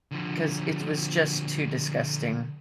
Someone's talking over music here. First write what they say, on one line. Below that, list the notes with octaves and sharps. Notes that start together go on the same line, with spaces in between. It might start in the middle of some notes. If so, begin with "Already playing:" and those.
'cause it was just too disgusting.
D3 F3